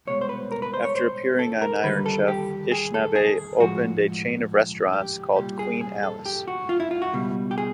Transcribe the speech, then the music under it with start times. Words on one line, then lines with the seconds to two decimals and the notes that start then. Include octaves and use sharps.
After appearing on Iron Chef, Ishinabe opened a chain of restaurants called "Queen Alice".
0.07 C2 B2 G#3 C#5
0.21 C5
0.29 B4
0.52 A#4
0.62 B4
0.74 C5
0.85 C#5
0.95 C5
1.39 A4
1.62 A#4
1.84 D#2 D3 G3 B4
2.06 A4
2.28 G4
2.72 G#4
2.94 A4
3.16 G#4
3.60 A2 F3 G#3 F#4
4.93 G4
5.36 C2 A#2 G3 G4
5.59 G#4
5.81 G#4
6.03 A4
6.26 G4
6.48 F#4
6.69 F4
6.80 E4
6.91 F4
7.02 F#4
7.13 C#2 B2 G3
7.51 G4
7.58 G#4